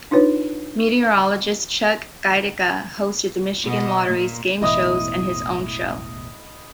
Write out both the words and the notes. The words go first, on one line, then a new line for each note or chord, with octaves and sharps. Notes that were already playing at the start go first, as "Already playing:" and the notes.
Meteorologist Chuck Gaidica hosted the Michigan Lottery's game shows and his own show.
D4 D#4 F4 B4 C#5
B2 D#5
A#2
E1 A1 E2 E4 D#5 D#6